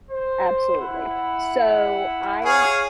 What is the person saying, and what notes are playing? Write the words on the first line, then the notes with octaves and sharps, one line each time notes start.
Absolutely. So, I
C5
E4 F#5
G#4 C#5 F5